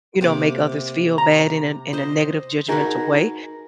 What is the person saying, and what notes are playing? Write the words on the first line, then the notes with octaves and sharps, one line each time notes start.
you know, make others feel bad in a in a negative judgmental way.
C3 A#3 D6
A#5
C5 D#5
D#4 F#4 G#4 A#4 B4